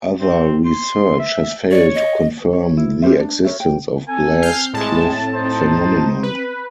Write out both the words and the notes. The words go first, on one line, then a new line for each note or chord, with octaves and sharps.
Other research has failed to confirm the existence of glass cliff phenomenon.
C4
C6
E5
C#5 D5
D#5
C#5
E4
G4 A#4 C5 E5
D4
A#4 C#5 E5
G5
C4 A4 G#5
F6 G6 C7
A2 G#3 A5
D#4 C5
B4